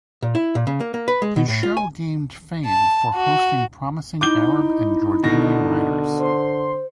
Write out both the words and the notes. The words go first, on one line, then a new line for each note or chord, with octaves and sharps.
His show gained fame for hosting promising Arab and Jordanian writers.
A#2
E4
A#2
C#3
A#3
A#3
B4
G#3
B2
A2
F4
G#5
A5
F#4
D#4 E4 D6 G6 G7
B2 D3 D#3 A#6
C5 C6